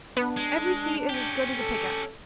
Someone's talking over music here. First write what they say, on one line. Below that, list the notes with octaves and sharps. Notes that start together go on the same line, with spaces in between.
Every sea is as good as a pickaxe.
B3 D4
G#3
C#4 G4
A4